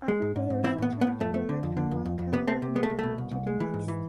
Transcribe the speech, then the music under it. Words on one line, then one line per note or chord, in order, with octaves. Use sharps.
Often they also change the format from one camera model to the next.
G#3
G#2
G#2
G#2
E3 C4 E4
A2 B3
A2
B3
A2
F2 A3
A3
D3
F2
D3
F2
F2
F2
C3 B3
C3 A3 C4
C3
G#3 B3
A3
C2
B2 A3
C2
C2
G#3
E3
G#2
E3